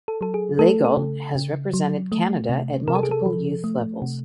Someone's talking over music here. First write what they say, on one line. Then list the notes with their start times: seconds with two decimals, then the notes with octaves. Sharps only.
Legault has represented Canada at multiple youth levels.
0.08 A4
0.21 F#3 A4
0.34 G#4
0.59 A3 A4
0.85 A4
0.97 C#3
1.35 C#3
1.74 F#3
2.12 A3
2.49 C3
2.88 C3 A#4
2.95 A4
3.03 G#4
3.11 A4
3.26 F3
3.64 A3
4.02 C3